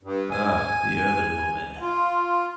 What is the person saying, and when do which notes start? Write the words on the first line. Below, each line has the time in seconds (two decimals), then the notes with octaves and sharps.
Ah, the other woman!
0.03 G2
0.31 G#5
1.82 F4